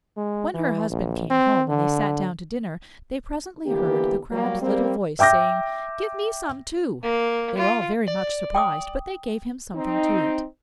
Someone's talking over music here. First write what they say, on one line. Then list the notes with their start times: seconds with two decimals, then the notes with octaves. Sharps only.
When her husband came home and they sat down to dinner, they presently heard the Crab's little voice saying, 'Give me some too.' They were all very much surprised, but they gave him something to eat.
0.17 G#3
0.54 E3
0.90 A#1
1.30 C4
1.68 D3
3.66 D3 E3 A#3 B3 G4
4.31 F#3 G3 A#3
4.62 G3 A#3 C4
5.19 E5 G5 D6 G6 A#6
7.03 A#3
7.57 F4
8.08 D5
8.55 G5 D6 D#6
9.75 C4 D#4